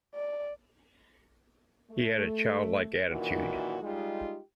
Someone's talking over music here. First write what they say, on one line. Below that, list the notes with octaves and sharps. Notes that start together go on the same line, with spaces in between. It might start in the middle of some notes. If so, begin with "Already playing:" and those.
He had a childlike attitude.
D5
A3
F#2 A#2 D#3 E3 F#4
G3 G#3 D#4 F4 G4